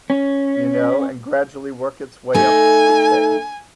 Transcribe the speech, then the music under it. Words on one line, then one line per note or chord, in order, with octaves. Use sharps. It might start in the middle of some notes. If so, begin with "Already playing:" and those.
you know? And gradually work its way up the food chain."
C#4
A3 D#4 G#5